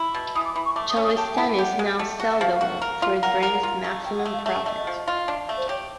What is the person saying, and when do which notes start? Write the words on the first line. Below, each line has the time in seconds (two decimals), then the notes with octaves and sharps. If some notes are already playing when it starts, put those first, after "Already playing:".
Cholistanis now sell the wool for it brings maximum profit.
Already playing: E4
0.15 B2
0.35 E3 D#6
0.45 D6
0.56 E3 B5
0.65 C#6
0.75 A3 D6
0.89 D#6
0.97 C#4
1.04 D#6
1.17 G4 A5
1.33 G#5
1.37 E4 A5
1.58 G4 F#5
1.79 G#3
1.99 A3
2.20 F#4
2.29 E5
2.40 F3 F5
2.61 F#4
2.82 A#4
3.02 F4
3.23 A#4 F#5
3.31 F5
3.38 A#4 F#5
3.63 F4
3.84 A3
4.04 A3 G5
4.18 F#5
4.25 A3
4.32 F5
4.46 A3 E5
4.66 A3 D#5
4.77 D#5
4.87 F3
5.08 F4
5.28 D4
5.49 A3
5.57 C5
5.69 G4 C#5